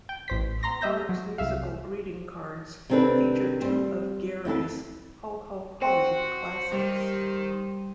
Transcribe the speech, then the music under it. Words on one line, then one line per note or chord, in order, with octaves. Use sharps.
Hallmark's musical greeting cards feature two of Gary's "Ho Ho Hoey" classics.
G5
A1 C5 B6
A#5 C6 A#6
G3 D#5 E5 G6 A#6
F#3
C2 E5 F5
C3 D#3 C4 D4 A4 B4
G3 C4
F2 E4 G4 A4
C4 F#4 C5
D#3 G3